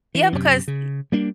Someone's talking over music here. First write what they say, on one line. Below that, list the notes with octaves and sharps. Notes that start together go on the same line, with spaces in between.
Yeah, because y
E3
F#2 C3
C#3
G3 A#3 D4